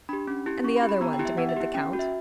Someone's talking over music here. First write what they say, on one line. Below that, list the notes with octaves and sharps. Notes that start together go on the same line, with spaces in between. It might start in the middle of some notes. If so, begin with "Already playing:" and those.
"And the other one?" demanded the count.
D4 G4 B5
C#4
E4 G4
C#4 C#6
B5
E4 G4
B5
B3 A#5
G5
E4 G4
E5
B3 F#5
E5
E4 G4
C#4 G5
F#4
E5